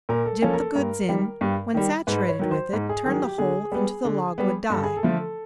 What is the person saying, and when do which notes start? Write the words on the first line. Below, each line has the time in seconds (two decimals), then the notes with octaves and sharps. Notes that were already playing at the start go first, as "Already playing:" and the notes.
Dip the goods in--when saturated with it, turn the whole into the logwood dye.
0.09 A#2 A#4
0.26 A4
0.42 F3 A#3 C#4 A4
0.54 A#4
0.59 A4
0.75 G2 A#4
1.09 D#3 G3
1.41 G2
1.74 D#3 G3
2.07 G#2 B4
2.29 C#5
2.39 D#3 F#3
2.51 C5
2.73 G#2
2.89 G#4
3.05 D#3 F#3 G#4
3.22 G4
3.38 D3 G#4
3.72 G3 B3
4.05 D3
4.38 G3 B3
4.70 G2 A4
4.84 G#4
4.97 A4
5.03 D3 F3 A3